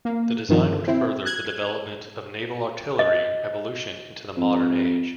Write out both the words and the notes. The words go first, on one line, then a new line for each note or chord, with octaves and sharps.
The design would further the development of naval artillery evolution into the modern age.
A#3
G2 C3 D#3 F3
C4 E4
F#6 G#6
D#5
F2